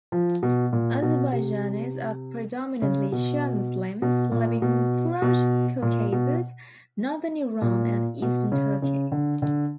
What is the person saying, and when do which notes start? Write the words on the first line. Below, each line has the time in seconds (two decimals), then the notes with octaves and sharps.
Azerbaijanis are predominantly Shia Muslims living throughout Caucasus, northern Iran and eastern Turkey.
0.12 F3
0.43 B2
0.73 A#2
1.02 B2
1.32 C3
2.82 C#3
3.12 B2
4.02 B2
4.32 A#2
4.62 B2
5.22 B2
5.82 A#2
6.12 B2
7.62 A#2
8.22 B2
8.52 C#3
8.82 C#3
9.12 D3
9.42 D3